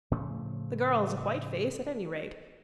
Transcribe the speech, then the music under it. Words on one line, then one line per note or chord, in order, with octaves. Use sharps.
The girl's a white face at any rate.
A2 C#3 F3 A3